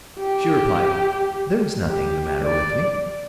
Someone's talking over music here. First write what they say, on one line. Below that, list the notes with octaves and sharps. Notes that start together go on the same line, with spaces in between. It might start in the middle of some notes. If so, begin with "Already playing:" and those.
She replied: "There is nothing the matter with me."
G4
G4
D5